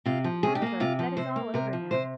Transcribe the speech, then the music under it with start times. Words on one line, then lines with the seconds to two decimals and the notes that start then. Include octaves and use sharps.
However, that is all over now.
0.06 C3 F4
0.24 F3
0.43 C3 G#4
0.55 G4
0.62 A#3 G#4
0.80 C3 F4
0.99 F3
1.17 C3 C5
1.36 A#3
1.54 C3 A#4
1.73 F3
1.91 C3 C5